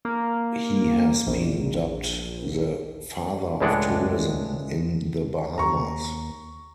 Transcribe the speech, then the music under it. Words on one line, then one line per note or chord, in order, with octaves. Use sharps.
He has been dubbed the "Father of Tourism" in The Bahamas.
A#3
A#1
C#2 A2 G#3 D4 F#5
D#2 A#5 C#6